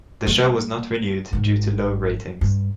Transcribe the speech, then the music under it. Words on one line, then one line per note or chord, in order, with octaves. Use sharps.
The show was not renewed due to low ratings.
G3 A#3
G#1 D#4
G2